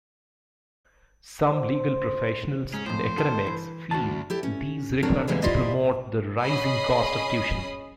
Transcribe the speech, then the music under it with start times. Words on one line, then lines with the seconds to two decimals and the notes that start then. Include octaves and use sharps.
Some legal professionals and academics feel these requirements promote the rising cost of tuition.
1.51 C5
2.74 G#2 C#4
2.86 F2 A2 C5
3.18 B2 D#3 A4
3.47 E3
3.91 D2 F#4 A5
4.30 E4 G4 A4
4.43 C#4
5.03 C4 D4 F#4 A4 A#4 C#5
5.27 D3 E3 G3 G#3 A#3 D#4
5.42 E4 F4 G4 C5 D5 D#5
6.42 C#4 G#4 D#5 B5 D#6 C7